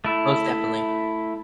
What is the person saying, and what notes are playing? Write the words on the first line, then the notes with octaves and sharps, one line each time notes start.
most definitely.
A3 E4